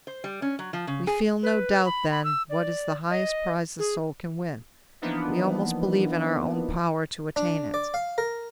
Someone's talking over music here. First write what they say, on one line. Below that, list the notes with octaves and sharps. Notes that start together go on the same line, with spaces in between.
We feel no doubt then what is the highest prize the soul can win; we almost believe in our own power to attain it.
C5
G3
C#4
F#3
F3
C#3
G#4
B4
B5
B5
E6
D5
D#5
G#4
E3 F3 A#3 B3 D4 D#4
D4
D5
F5
A#4